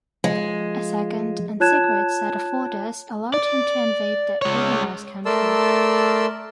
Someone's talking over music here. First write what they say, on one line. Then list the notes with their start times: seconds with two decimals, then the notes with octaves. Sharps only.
A second, and secret, set of orders allowed him to invade the Illinois Country.
0.24 F3 G#3
1.60 F4 C#5 A5 F#6 G#6 E7
3.34 D5
4.42 G#3 C#5
5.26 A3 A#4 D5 A5 C6 E6